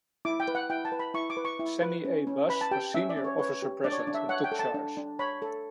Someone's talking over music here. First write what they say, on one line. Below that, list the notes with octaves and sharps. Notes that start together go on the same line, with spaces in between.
Sammy A. Buss, was senior officer present and took charge.
E4 D6
G5
B4
F#5
E4 G5
A5
B4
B5
E4 C#6
D6
B4
C#6
E4
B4
C#4
C#4
B4 B5
A5
G4 G5
C#4 E5
D5
C#4
C#5
B4 C#5
G4
D4 D5
C#5
D5
D4
E5
C#5 F#5
G5
A4
A5
D4
D4
C#5 B5
A4